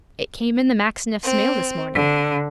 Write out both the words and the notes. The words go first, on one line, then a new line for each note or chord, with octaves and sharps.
'It came in the Maxineffs' mail this morning.
C4
D3